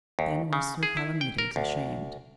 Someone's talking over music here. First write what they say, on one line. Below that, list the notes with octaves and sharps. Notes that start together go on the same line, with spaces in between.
Then was Sir Palomides ashamed.
D#2
C#3
G#4
E4
G5
A#4
D2